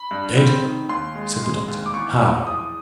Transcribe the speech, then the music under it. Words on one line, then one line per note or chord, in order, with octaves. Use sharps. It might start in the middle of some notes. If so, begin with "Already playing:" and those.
"Dead!" said the doctor, "how?"
Already playing: B5
G2
C4
D#3
D#2 C6
G#3
G#3
D#2
D6
E2 C#6
F3
E2 D#6